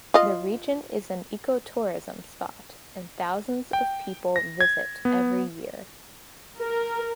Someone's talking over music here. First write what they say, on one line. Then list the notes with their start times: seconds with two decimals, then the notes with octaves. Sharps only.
The region is an eco-tourism spot, and thousands of people visit every year.
0.14 F4 D#5
3.73 G5
4.36 A#6
4.61 G#6
5.05 B3
6.59 A#4